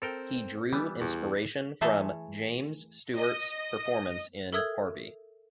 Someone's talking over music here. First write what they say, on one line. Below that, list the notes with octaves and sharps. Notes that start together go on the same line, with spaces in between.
He drew inspiration from James Stewart's performance in "Harvey".
C4 A4 A#4 G5
E3 G3 B3
E2
E3 A3 G#4 A4 A#5
D#5
A4 A#4 E5 D#6 E6 G#6